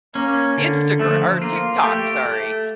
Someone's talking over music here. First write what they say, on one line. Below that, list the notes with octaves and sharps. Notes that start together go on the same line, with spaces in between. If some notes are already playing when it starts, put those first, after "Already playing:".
Instagr or TikTok, sorry,
A#3 C#4
D3
F3 A3
A#3 F4
A3 G4
A3